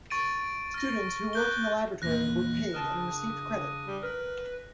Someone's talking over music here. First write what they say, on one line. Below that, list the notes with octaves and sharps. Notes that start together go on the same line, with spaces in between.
Students who worked in the laboratory were paid and received credit.
C#6 A6 D7 D#7
F6 A#6
F#6 G6 G7
E2 A#2 F#6 A#6
C#3 D4 A#4 G5 A5 D#6
G3
A#4 B4